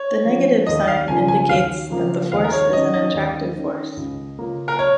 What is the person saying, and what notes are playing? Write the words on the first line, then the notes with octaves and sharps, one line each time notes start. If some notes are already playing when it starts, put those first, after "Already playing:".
The negative sign indicates that the force is an attractive force.
Already playing: C#5
F3 C#4
D#2 D#5
F5
C#3 F3 A#3 F4 G#5
G#5
D#2 F5
C#3 F3 A#3 F4
D#2 F5
A#4
C#5
D#3 C#4 D#5
D#5
D#2
D#3 C#4
C#2
C#3 A#3 C#4 F4
A#4
C#5